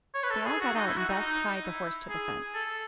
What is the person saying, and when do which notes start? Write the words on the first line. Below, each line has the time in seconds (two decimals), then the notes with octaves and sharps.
They all got out and Beth tied the horse to the fence.
0.14 C#5
0.23 B4
0.31 A4
0.46 G#4
0.61 F#4
0.75 D#4
0.87 E4
0.97 F#4
1.08 D#4
1.20 D#4
1.64 E4
2.09 G#4
2.55 A4